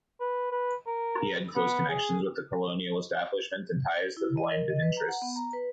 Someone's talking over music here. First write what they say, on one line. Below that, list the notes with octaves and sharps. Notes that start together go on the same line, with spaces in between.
He had close connections with the colonial establishment and ties to the landed interests.
B4
B4
A#4
B3
G#4
E4
D#5
A#4
D#5
B4
A#5
F#5
B3
A#5
B4